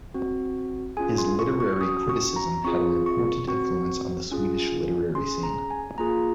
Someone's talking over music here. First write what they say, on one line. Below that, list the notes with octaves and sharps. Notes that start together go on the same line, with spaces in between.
His literary criticism had an important influence on the Swedish literary scene.
C4 F#4
C#4 F4 G#4 G#5
C6
C#6
C#6
C#4 F#4 D#6
C#6
A#5
C4 F4 G#4 C#6
C#6
C4 F#4 C#6
C#4 F4 G#4
C#4 G#4 C6
A#5
G#5
A#3 F4 G#4 A#5